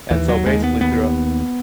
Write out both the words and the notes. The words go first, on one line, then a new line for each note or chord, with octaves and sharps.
And so basically throughou
D#2 E3
F#3
D#2 G#3
B3
D#2 B3